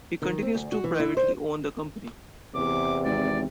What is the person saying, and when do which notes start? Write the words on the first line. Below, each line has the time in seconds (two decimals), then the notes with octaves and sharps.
He continues to privately own the company.
0.22 D#3
0.42 C4
0.55 D2
0.72 F#4
0.84 E3
1.00 E4
1.17 C5
2.55 E2 C3 D6
3.05 G#1 D5